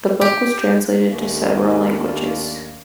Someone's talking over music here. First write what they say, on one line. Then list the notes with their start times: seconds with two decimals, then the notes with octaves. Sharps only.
The book was translated to several languages.
0.21 G4
1.10 D#2 A3 A#3 D4